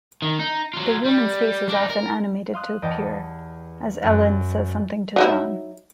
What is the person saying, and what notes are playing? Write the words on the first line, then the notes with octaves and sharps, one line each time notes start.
The woman's face is often animated to appear, as Ellen says something to John.
D#3
D#4
F#3 F4
G3
D4 D#4
A#4
F5 C6 D#6 F#6
E2 G4 D#5 G5 A5
F#2 F#6
F#3 D#4 E4